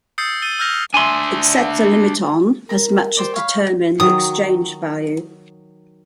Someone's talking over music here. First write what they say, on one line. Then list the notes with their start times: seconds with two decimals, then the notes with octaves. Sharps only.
It sets a limit on, as much as determine, the exchange value.
0.18 D#6 E6 G6 A6 C7 C#7
0.42 E6 A6 D#7 G7
0.59 E6 F6 G6 A#6 F7
0.94 D4 E5 G#5 C6
2.69 A#4 A#5 B5
3.17 G4 C5 D5
3.34 C#5 F5 B5
4.00 D#3 F#3 D#6